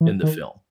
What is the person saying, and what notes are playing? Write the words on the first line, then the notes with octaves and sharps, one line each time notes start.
in the film.
E3
D#3